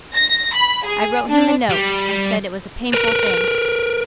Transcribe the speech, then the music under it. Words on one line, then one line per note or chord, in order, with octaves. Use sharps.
'I wrote him a note, I said it was a painful thing.
A#6
B5
G#4
D4
G3
A#4 B4